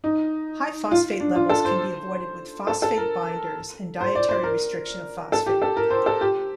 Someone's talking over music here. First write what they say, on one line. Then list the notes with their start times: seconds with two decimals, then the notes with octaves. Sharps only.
High phosphate levels can be avoided with phosphate binders and dietary restriction of phosphate.
0.04 D#4
0.91 F4
1.20 D4
1.35 F4
1.49 A4
1.65 C5
2.67 A4
2.82 A4
2.98 A#4
4.01 C5
4.15 D5
4.29 C5
4.43 A#4
5.32 A4
5.46 G4
5.62 A4
5.77 A#4
5.90 C5
6.06 A4
6.21 G4